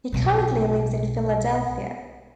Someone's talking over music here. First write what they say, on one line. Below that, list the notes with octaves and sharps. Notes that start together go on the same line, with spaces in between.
He currently lives in Philadelphia.
B1 A2